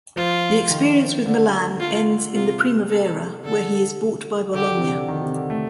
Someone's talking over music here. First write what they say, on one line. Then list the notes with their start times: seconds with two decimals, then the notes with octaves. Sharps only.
The experience with Milan ends in the Primavera where he is bought by Bologna.
0.16 F3 F4
0.71 D#3
1.26 D3
1.80 F4
2.34 C3 F4
2.90 A4
3.44 D3 A4
4.54 D3 G4
4.67 D3
4.77 C3
4.81 D3
4.95 D3
5.08 D#3
5.22 C3
5.35 D3
5.50 A3